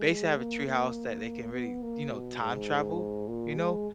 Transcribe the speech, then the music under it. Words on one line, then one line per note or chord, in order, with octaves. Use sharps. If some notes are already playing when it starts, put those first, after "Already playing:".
basically have a tree house that they can really, you know, time travel, you know?
Already playing: G#3
A#3
A#3
B3
A#3
B2
G#2
A#2
G#3